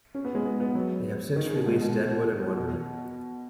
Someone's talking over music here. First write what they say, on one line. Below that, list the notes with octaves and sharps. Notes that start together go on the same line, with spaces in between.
They have since released "Deadwood" and "Wondering".
C#4
B3
G#3
B3
B3
F#3
D#3
C#3
B2
G#2
B2
B2